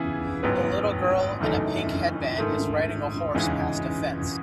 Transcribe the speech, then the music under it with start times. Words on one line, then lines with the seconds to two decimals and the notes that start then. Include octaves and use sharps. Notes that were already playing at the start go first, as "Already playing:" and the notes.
A little girl with a pink headband is riding a horse past a fence.
Already playing: C#3 E3 B3 E4 G#4
0.43 A1 G#2 F#3 B3
1.40 F#1 F#2 E3 A3 D#4
2.38 G#2 D#3 A3
3.35 E2 C#3 E3 G#3 D#4